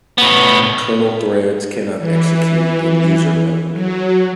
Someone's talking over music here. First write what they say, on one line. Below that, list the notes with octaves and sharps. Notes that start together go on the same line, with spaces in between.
Kernel threads cannot execute in user mode.
A2 B3
E3
F#3